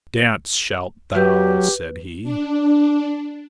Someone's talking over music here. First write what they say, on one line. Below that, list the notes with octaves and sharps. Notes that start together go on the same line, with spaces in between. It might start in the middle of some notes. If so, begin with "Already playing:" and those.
"Dance shalt thou!" said he.
F#3 G4 B4 G6
D4